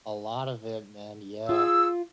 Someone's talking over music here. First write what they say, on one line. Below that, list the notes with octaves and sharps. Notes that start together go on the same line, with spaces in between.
A lot of it, man, yeah.
F4 G#4 E6